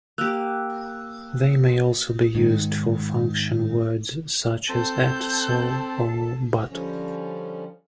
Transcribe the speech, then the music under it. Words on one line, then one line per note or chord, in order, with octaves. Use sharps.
They may also be used for function words such as 'at', 'so' or 'but'.
A#3 G4 E6 F#6
G#2 D#3
C4 A4 A5 G6
D3 F3 G3 C#4